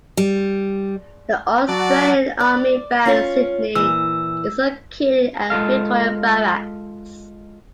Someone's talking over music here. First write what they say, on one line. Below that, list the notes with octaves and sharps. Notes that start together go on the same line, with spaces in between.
The Australian Army Band Sydney is located at Victoria Barracks.
G3
F#3 F#4 D5 A5
D5
C#4 F4 C#5
A#2 E3 E6
G#3 F4 A4 F5